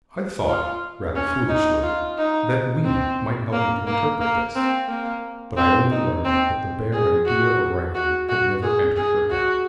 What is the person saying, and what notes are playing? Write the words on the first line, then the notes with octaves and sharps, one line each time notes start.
I thought, rather foolishly, that Weena might help me to interpret this, but I only learned that the bare idea of writing had never entered her head.
F4
C#4
D#4
F4
D#4
C4
A#3
A#3
A#3
C4
A#3
C4
D#4
C4
G#4
F#4
F#4
F#4
G#4
G#4
F#4